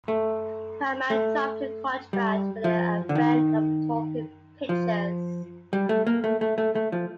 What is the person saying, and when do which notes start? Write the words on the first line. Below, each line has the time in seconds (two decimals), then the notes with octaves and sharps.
Paramount dropped her contract with the advent of talking pictures.
0.08 A3
1.10 A3
2.13 G3
2.64 F3
3.09 D3
3.15 D#3
4.69 F3
5.73 G3
5.89 A3
6.07 A#3
6.24 A3
6.41 A3
6.58 A3
6.75 A3
6.92 F3